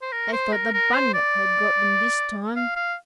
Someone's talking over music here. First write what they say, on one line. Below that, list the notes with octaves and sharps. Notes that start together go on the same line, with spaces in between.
They thought the Bunyip had got them this time.
C5
A#4
C5
A#4
A#4
C5
D5
F5
F5